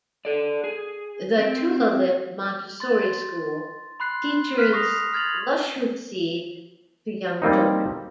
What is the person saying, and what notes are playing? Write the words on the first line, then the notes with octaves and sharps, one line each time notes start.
The Tulalip Montessori School teaches Lushootseed to young children.
A4 D5
G#4
C4
C6 A6
B5 C6 F#6 C7
F6 F#6 B6
C#6 D#6 A#6 C7 F7
F6 G#6 A6 F7 F#7
G3 A#3 C4 D#4